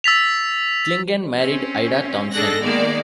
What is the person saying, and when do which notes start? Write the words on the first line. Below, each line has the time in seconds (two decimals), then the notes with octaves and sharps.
Clingan married Ida Thompson.
0.04 E6 A6 B6 F7
1.38 C4 C#4
2.32 G#2 D4 G#4 A4 F#6 A#6
2.61 D#3 G#3 A#3 B3 D5